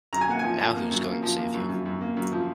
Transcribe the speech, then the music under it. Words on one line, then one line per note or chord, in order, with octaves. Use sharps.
Now who is going to save you?
F#2 A#5
G#5
A#3 F#5
F3 G#5
F3
A#3
F#2
A#3
F3
A#3
F#2
F#2
F#2
A#3
F#2
F3